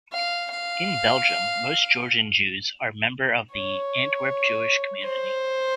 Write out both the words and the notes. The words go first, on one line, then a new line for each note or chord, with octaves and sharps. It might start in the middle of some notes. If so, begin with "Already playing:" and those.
In Belgium, most Georgian Jews are member of the Antwerp Jewish community.
F5
F5
C#5
C5